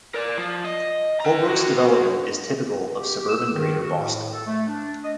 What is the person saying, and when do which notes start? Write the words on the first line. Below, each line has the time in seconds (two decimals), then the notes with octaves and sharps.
Holbrook's development is typical of suburban Greater Boston.
0.15 A#4 D5
0.38 F3
0.65 D#5
1.20 C5 A#5
1.47 D3 F#4
2.97 G4
3.29 E6
3.53 D#3
3.79 F#4
3.97 A2
4.33 A4
4.46 A3
4.68 D4
5.03 D#5